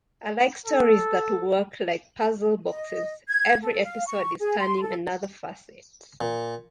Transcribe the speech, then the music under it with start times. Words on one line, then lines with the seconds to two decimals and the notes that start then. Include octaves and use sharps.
I like stories that work like puzzle boxes, every episode is turning another facet.
0.67 A4
2.70 D#5
3.28 G#6
3.63 A4
3.84 F5
4.07 C#6
4.40 G#4
4.59 C6
4.81 A4
6.21 A#2